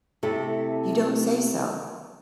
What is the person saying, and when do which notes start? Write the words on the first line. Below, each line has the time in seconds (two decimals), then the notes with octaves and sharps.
You don't say so!
0.23 C3 A3 E4 A4